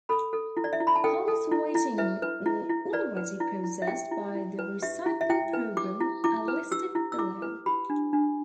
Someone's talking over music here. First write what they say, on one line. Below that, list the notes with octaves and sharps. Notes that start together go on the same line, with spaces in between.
Hulls waiting or already processed by the recycling program are listed below.
A4 B5
A4
E4
D5
E5
E4
B5
A5
A4 G5
A4
E4
E4
B4 E5
B4
E4
E4
B4 D5
B4
E4
E4
E5
G4 G5
E4
E4
B4
G4 E5
E4
E5
E4 G5
B4
G4 D6
E4
E4 D6
B4
G4 E6
E4
E6
E4 D6
B4
G4 B5
D4
D4